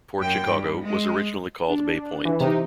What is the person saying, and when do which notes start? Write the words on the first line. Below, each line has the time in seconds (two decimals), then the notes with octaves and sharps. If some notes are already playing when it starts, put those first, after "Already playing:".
Port Chicago was originally called Bay Point.
0.19 F#2 G5
0.48 G2
0.82 G#3
1.67 D4
2.25 E3
2.40 C3 D#4 G4